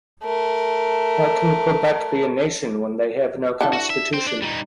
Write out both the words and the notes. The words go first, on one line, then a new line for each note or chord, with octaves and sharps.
How can Quebec be a nation when they have no constitution?
A3 A#4
D3 E4 A4
F#4
E5
C5 G5
D4
G3 D#4